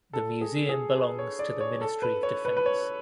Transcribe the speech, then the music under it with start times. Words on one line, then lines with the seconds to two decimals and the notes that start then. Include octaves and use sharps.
The museum belongs to the Ministry of Defense.
0.13 A4
0.41 G#4
0.69 G#4
0.98 B4
1.19 C#5
1.39 D5
1.61 C#5
1.81 A4
2.02 B4
2.23 C#5
2.45 B4
2.57 B4
2.66 C#5